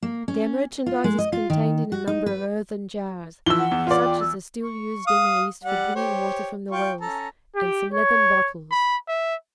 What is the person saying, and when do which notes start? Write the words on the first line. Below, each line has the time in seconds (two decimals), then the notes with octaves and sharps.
Their merchandise is contained in a number of earthen jars, such as are still used in the East for bringing water from the wells, and some leathern bottles.
0.02 A#3
0.28 C#4
0.86 F4
1.04 G#3
1.18 D#5
1.33 F4
1.50 D#3
1.92 F#4
2.07 D#4
2.26 B4
3.46 E3 F3 E6 G7
3.59 F#5
3.71 E2
3.87 F4 D5
4.05 G5
4.21 E6
4.62 C#6
5.07 F5 D#6
5.64 G3 F#5
5.95 G4 C5 C#5
6.71 F4 G5 C#6
7.01 C#4 A4 A#5
7.55 G4
7.92 C#5
8.71 B5
9.08 E5